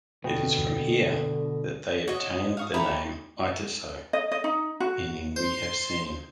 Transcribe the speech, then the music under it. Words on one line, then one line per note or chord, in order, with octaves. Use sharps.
It is from here that they obtained the name Iteso, meaning we have seen.
B2 D3 B4 G5
F#4 C#5 D#5
F5 C#6 D#6
A3 G4 A#5 B5
D#5
D#5
D#4
F#4
C5 C6